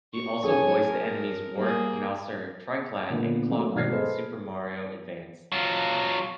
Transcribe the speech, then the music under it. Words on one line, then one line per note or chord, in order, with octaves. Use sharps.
He also voiced the enemies Wart, Mouser, Tryclyde, and Clawgrip in "Super Mario Advance".
C#6
F#2 G#4 A4 C#5 G#5
A#4
G3 A#3 G#4
A#2 D3 B3
F#3 A3 C4
G#1 B2 D5 F6 G#6 C7
G#4 A4 B4 C5 D#5
F#3 F4